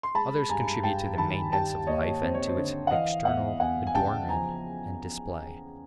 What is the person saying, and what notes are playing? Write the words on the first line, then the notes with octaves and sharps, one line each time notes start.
Others contribute to the maintenance of life, and to its external adornment and display.
C6
G#3 A5 B5
G2 G#5 A#5
G2 G5 A5
D#3 A5 B5
G3 G5 A5
D#2 C#5 D#5
C4 C5
C#5
C5
D3
F#5
E3 D#5 F5
E2 E5 F#5
E2 F#5 G#5
G#5
C#3 G5 A5
F3 G#5 A#5